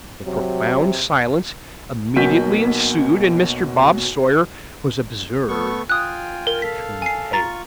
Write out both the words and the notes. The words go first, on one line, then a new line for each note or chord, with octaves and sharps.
A profound silence immediately ensued; and Mr. Bob Sawyer was observed to turn pale.
C3 F#3
B1 B2 A#3 F#4 G6 B6
A3 B3 C#6
F4 G5 G#5 D#6 F#6
A#4
A4 F5 B6
G#5 C7
F4 A#5 C#6 A6